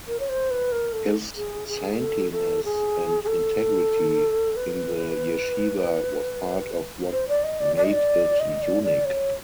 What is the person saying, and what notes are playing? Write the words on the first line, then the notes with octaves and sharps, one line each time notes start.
His saintliness and integrity in the yeshiva was part of what made it unique.
A#4
C#5
C5
B4
A#4
A4
G#4
G#4
A4
A4
G#4
G#4
A4
B4
C5
D5
D#5
D5
D5
D#5
D5
D#5
D5
D5
C#5